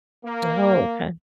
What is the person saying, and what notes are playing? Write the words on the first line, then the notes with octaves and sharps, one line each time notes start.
Oh, 'kay.
A#3